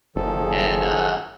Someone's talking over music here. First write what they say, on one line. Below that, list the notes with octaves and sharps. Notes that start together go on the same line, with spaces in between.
and, uh,
F#1 D#3 F3 G#4 A4